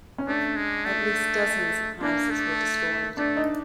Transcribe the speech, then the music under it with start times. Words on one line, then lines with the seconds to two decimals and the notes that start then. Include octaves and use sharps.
At least dozens of houses were destroyed.
0.18 C#4
0.27 A3 D4
0.56 G#3
0.85 A3
2.01 A#3 D4
2.30 A3
3.17 A3 D4
3.37 D#4